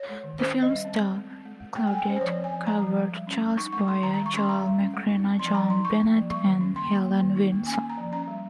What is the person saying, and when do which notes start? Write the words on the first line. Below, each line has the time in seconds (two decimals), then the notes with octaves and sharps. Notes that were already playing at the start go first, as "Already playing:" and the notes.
The film stars Claudette Colbert, Charles Boyer, Joel McCrea, Joan Bennett, and Helen Vinson.
Already playing: C#5
0.09 G#3
0.23 D#3
0.39 C#4 C5
0.54 C#4
0.62 D#5
0.70 G3
0.85 C4
1.00 C4
1.15 G#3
1.30 C4
1.45 G#3
1.60 G#3
1.75 G#3 G5
1.87 G#5
1.91 G#3 G5
1.98 G#5
2.06 C#4 C5
2.16 C5
2.21 F3 C#5
2.36 C4
2.44 G#5
2.51 F3
2.67 G#3 A#5
2.82 F3
2.97 G#3
3.12 G3
3.27 C#4
3.42 C#4
3.57 D#4 C#6
3.72 G#3 C#6
3.88 G#3 C6
4.03 D#3 A#5
4.14 G3 A#5
4.26 C#6
4.33 C#4 C6
4.49 G3 A#5
4.64 G3
4.79 C#4
4.94 G#3
5.09 D#4
5.24 C4
5.39 F3 C6
5.54 F3 A#5
5.70 D#4 C6
5.85 D#4 C#6
6.00 A#3
6.16 F3
6.30 G3 C#6
6.46 D#3
6.61 C#4
6.76 A#3 C6
6.91 A#3
7.06 A#3
7.21 D#3
7.36 D#4
7.52 A#3
7.67 C#4 G#5
7.82 A#3
7.90 A#5
7.97 F3
8.12 C#4 A#5
8.28 G3